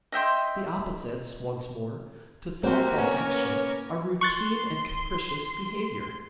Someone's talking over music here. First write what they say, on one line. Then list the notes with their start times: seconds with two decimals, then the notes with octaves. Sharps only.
The opposites, once more, to thoughtful action are routine and capricious behavior.
0.12 D#5 E5 G5 C6
2.63 A#3 C4 F#4 G4 C5
2.98 B3 C#4 A#4 C#5
4.21 C6 C#6 F#6 A6